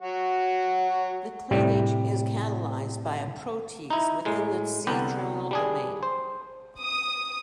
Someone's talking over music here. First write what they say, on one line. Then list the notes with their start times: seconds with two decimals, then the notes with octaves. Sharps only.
The cleavage is catalysed by a protease within the C-terminal domain.
0.01 F#3 F#4
1.51 A2 C3 G3
3.90 D#4 E4
4.25 A2 G#3
4.87 C2 D3 B3 D5 G5
5.51 G3 D4 G#4
6.03 C5
6.80 D#6